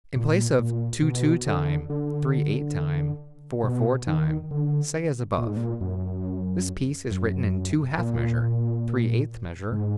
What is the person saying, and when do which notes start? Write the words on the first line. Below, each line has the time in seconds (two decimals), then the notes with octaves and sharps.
In place of: "two-two time, three-eight time, four-four time," say as above: "This piece is written in two-half measure, three-eighth measure, four-quarter measure."
0.16 A#2
0.59 A#2
1.02 B2
1.46 D3
1.90 D3
3.64 B2
4.07 D#3
4.51 D3
5.38 A#2
5.47 G#2
5.57 A#2
5.81 F#2
7.11 F#2
7.98 A#2
9.72 G#2